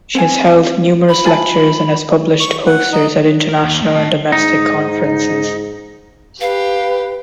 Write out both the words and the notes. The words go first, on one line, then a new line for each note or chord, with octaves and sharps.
She has held numerous lectures and has published posters at international and domestic conferences.
C4 F5 G#5
B5
F4 G#5 A5
C#6
F#5
D#4
A#4
D#2
A3 D#5
D#5 A5
G#2 D#4
G4 B4 F5